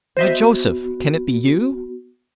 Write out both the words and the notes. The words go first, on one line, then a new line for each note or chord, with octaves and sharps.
"Why, Joseph! can it be you?"
B3 F#4 C5 D#5 E5